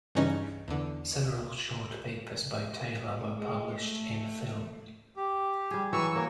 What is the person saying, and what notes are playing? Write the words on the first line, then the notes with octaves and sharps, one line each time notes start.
Several short papers by Taylor were published in Phil.
G2 C#3 E3 C#4 D#4 D#5
E2 D3
G#3
A3
G4
G3 G#4
E3 F#3 C#6 E6
A#3 A#4 C#5